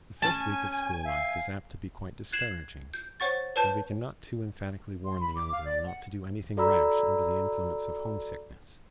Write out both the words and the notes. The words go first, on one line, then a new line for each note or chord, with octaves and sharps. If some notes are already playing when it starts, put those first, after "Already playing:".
The first week of school life is apt to be quite discouraging, and we can not too emphatically warn the young girl not to do anything rash under the influence of homesickness.
C#4 G#5 A5
E5 F5
F#6 G#6 C7 E7 F#7
G6
C5 C#5 F#5 C#6 A6
B4 C#5 A5 G6
C6
B5
D6
F5
D5
F#5
F#4 A4 D5 A#5 B5 E6